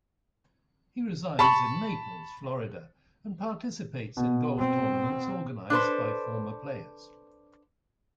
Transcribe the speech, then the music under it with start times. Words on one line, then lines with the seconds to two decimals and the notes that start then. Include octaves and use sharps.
He resides in Naples, Florida, and participates in golf tournaments organized by former players.
1.39 A5 B5 C#6
4.17 B2
4.59 C4
5.70 D4 A4 B4 C5